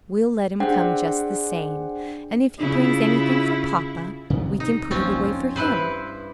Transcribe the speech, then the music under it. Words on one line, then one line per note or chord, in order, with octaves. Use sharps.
"We'll let him come just the same, and if he brings anything for papa we can put it away for him."
D4 G#4 C5 F#5 G5
C#3 E4 F4
C3 D#3 B3
D#4
D#1 A#1 C4 C#4 F4
F2
G2 E4 B4 C5